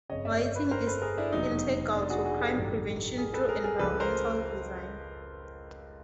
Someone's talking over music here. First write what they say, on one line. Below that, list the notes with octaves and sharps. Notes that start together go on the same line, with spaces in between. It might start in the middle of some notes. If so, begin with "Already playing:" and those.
Lighting is integral to crime prevention through environmental design.
G1 F2 C#3 C#5 D#5
D5 E5
C#5 D#5
B4 C#5
A#4 C5
A4 B4
G#4 A#4
D4 E4
F1 E2 B2 F#3 D#4
D4
F#4 G#4
F#4 G#4
G4 A4
G#4
A1 G2 D#3 F#3 G4 A4
G#4 A#4
A4 B4
G#4 A#4
G#4 A#4
C#2 C#3 F3 A4 B4
A#4 C5